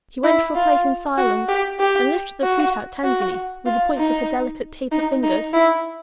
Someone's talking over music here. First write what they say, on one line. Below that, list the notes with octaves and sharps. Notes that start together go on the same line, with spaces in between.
She went for a plate in silence, and lifted the fruit out tenderly, with the points of her delicate taper fingers.
E4
F4
F#4
G4
G4
F#4
F#4
F4
D#4
D#4
D#4
E4